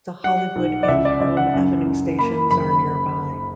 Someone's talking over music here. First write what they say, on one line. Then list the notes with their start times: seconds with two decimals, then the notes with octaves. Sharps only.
The Hollywood and Harlem Avenue stations are nearby.
0.24 G3 F#5
0.56 B1
0.83 D5
0.88 C#2 E5
1.05 D5
1.21 C#2 D5
1.37 F#5
1.54 F#2
1.86 F#2
2.19 A#3 B5
2.51 F#1 B5